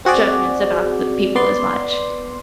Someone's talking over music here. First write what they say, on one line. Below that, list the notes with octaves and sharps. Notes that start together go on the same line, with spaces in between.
judgments about the people as much.
C4 F#4 G#4 D5
B3 D5 C6